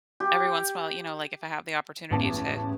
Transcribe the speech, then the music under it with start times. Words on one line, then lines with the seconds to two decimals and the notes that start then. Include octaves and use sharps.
every once in while, know, like if I have the opportunity to,
0.20 G4
2.11 A1 E2 B3 C#4 A5 D6